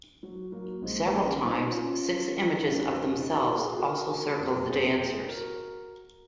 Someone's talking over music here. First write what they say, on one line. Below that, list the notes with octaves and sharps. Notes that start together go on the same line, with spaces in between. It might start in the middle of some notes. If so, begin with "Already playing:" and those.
Several times six images of themselves also circle the dancers.
F#3
F#3 A#3
A#1 A#2 G#3 C4
A#3 C#4
C4 D#4
C#4 F4
F1 F2 C#3 D#4 F#4
C5
F#4 A#4
D#4 F#4
A#4
G#4
F#4
F4 G#4
F#4 A#4
F#4 A#4
F#1 F2 C3 F#4 A#4
G#4 C5
G#4 C5
F#4 A#4